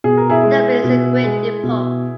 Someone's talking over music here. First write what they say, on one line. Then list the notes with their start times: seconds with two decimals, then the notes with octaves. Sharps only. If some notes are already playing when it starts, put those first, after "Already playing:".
Dublin is the great depot.
0.04 B2 G#4
0.17 A#4
0.30 E4 G#4
0.44 G#3
0.84 B2
1.24 G#3
1.63 B2